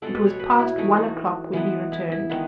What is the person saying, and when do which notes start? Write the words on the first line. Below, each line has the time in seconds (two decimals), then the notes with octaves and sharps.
It was past one o'clock when he returned.
0.02 B2 G#3 B3 A4
0.15 B4
0.27 C#5
0.39 B4
0.59 E4
0.78 E3 A3 D#4
0.97 F#4
1.53 E3 G#3 B3
1.92 E4
2.12 E4
2.29 D#3 G#3 B3